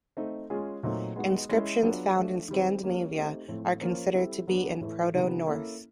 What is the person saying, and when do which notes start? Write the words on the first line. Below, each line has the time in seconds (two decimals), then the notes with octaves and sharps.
Inscriptions found in Scandinavia are considered to be in Proto-Norse.
0.17 A3 C4 D#4
0.50 G#3 C#4 F4 G#4
0.83 A#2 F#3 A3 C4 D#4
1.16 G#3 B3 D#4 F#4
1.49 G#3 C#4 E4
1.82 F#3 B3 D4 F4 G#4
2.15 F3 A3 D4
2.48 D#3 G3 C4
2.82 G3 A#3 C#4
3.15 A3 C4 D#4 G4
3.48 A2 F3 A3 C4
3.81 F3 A#3 C#4 F4 A#4
4.14 G3 C4 E4 A4
4.47 F#3 B3 D4
4.81 A2 E3 A3
5.14 C3 D#3 G3 B3
5.47 A#3 C#4 E4 A4